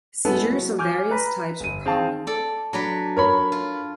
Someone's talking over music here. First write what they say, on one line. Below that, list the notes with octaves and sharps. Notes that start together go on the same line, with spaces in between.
Seizures of various types are common.
G#3 B3 C#4 E4 A4
F#3
G#5 D6 F6 G6
B4 A#5 B5
G1 D#7
C4 G#4 F5 G5 A5
A4 D5
F#3 D4 B4
A#4 C#5 B5
F4